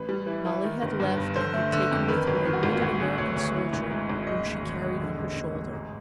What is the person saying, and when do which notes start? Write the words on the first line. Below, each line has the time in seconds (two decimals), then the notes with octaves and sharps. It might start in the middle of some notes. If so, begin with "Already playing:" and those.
Molly had left and had taken with her a wounded American soldier whom she carried on her shoulder.
Already playing: A1 B4
0.09 G3
0.26 E3
0.45 E3
0.63 D#3
0.82 G1
1.00 G2
1.17 G1
1.35 D3 C5
1.54 A3
1.72 D3
1.91 F2
2.08 D#3 B4
2.27 G#1 B4
2.45 D#3
2.53 F#4
2.63 G#1 F4
2.81 D2 F#4
3.00 D3 G#4
3.18 D2 C#5
3.36 D2 C#5
3.54 E3
3.73 G#1
3.91 G#2
4.09 G#1
4.27 E1 D#5
4.46 D2
4.63 E1
4.81 E1
5.00 D3
5.18 A1
5.36 A1
5.55 A1
5.73 G#2